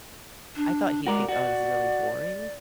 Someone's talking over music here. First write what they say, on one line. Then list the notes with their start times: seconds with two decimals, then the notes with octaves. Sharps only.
I thought he'd think, "Oh, this is really boring."
0.56 D4
1.07 G#3 F#4 A#4 D5
1.29 F#4 D5